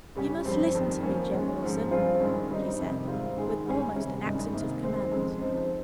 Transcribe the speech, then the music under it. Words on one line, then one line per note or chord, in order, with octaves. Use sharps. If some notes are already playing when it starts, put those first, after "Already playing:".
"You must listen to me, Jem Wilson," she said, with almost an accent of command.
C#3 G3 C#4 G4
G2 F3 C4 G4
F2 D#3 G3
F3 A#3 C#4
D#3 G#3 C#4
G#2 F3 C4
G2 F3 C4 F4 G#4
G2 D#3 G#3 C#4
G2 G3 C4 D#4
F2 C3 D#3
G#2 G3 C4 F4
D#3 G#3 D#4 G#4
G#2 D#3 G3 C#4 G#4
C3 G3 C#4
G2 D#3 G#3 D#4 G#4
C3 D#3 A#3
D#3 G#3 C4
F2 C#3 G#3
F3 C4 D#4